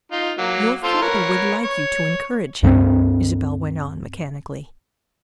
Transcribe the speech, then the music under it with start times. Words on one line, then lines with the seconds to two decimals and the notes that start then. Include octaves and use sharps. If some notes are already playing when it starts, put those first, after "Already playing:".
"Your father would like you to encourage him," Isabel went on mechanically.
0.12 D#4 F4
0.38 F#3 A#3
0.84 F4 A4 C5
1.02 A#4 B4 C#5
1.64 C#5
2.63 C#2 G2 F#3 C4